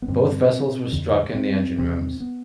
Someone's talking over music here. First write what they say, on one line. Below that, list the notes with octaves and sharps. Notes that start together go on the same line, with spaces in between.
Both vessels were struck in the engine rooms.
B3
G2 D3 C4
F2 D3
C4
E2 C3 C4
B3